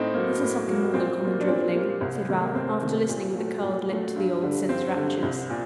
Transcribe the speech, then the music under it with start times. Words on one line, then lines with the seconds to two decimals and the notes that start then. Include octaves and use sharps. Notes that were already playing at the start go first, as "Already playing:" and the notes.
'This is something more than common drivelling,' said Ralph, after listening with a curled lip to the old sinner's raptures.
Already playing: A2 C4 D#4
0.14 F#3 A#3
0.41 A2
0.67 F#3 A#3
0.94 A#2 C4
1.21 G3 A#3
1.41 D4
1.47 A#2 C4
1.74 G3 A#3
2.01 C2
2.29 C3 D#3 A3
2.43 A#3
2.55 C2 C4
2.82 C3 D#3 A3
3.09 A#2
3.36 F#3 A3
3.63 A#2
3.89 F#3 A3
4.16 G2
4.42 D3 G3
4.69 G2 C4
4.96 D3 G3
5.23 C2
5.50 A#2